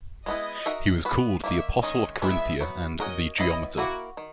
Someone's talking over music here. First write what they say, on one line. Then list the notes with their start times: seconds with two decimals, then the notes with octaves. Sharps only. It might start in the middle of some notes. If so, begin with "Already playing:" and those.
He was called "the Apostle of Carinthia" and "the geometer".
0.26 G#3 B3 E4 D#5
0.66 D#4 F#4 A#4 E5
1.05 B3 F#4 B4
1.44 D#3 F#3 A#3 E5
1.82 D#3 G#3 C#4 D#5
2.21 E3 G#3 B3 E5
2.61 F#3 B3 F#4
3.00 C#4 F#4 A#4 D#5
3.38 F#3 B3 E4 D#5
3.78 A#3 E4 F#4 A#4
4.17 D#3